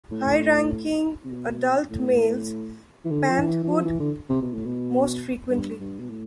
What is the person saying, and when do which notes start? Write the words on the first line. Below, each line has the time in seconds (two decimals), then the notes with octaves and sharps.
High-ranking adult males pant-hoot most frequently.
0.11 A2
1.24 C3
1.31 B2
1.90 A2
3.05 E3
3.11 D3
3.29 F3
3.40 E3
3.63 E3
3.70 F3
3.85 E3
4.00 D3
4.30 C3
4.42 B2
4.53 A2
4.65 B2
5.50 G2
5.80 G2
5.99 B2
6.09 A2